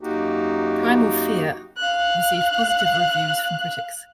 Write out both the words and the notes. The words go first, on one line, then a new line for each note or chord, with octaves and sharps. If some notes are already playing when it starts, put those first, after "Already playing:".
"Primal Fear" received positive reviews from critics.
F#2 A#3 D#4 F#4 G4
F5 F#6